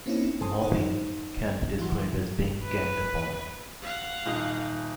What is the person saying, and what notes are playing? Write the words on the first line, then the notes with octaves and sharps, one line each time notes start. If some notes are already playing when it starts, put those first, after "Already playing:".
Mobbing can be described as being ganged up on.
A#3 C4 C#4 D#4 E4
A4 C5 G#5 A5 C6 D#6
D#4 A4 C5 D#5 F#5
E3 F#3 E5 F#5 C6
B4
F5 F#5
D#1 D#4